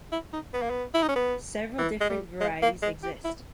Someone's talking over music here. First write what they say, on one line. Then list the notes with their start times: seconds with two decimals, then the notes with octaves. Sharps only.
Several different varieties exist.
0.12 E4
0.33 D#4
0.54 B3
0.62 A#3
0.70 B3
0.95 E4
1.02 D#4
1.09 C#4
1.16 B3
1.79 E3
2.01 G#3
2.10 G3
2.41 G#3
2.62 A#3
2.82 G#3
3.03 G4
3.24 E4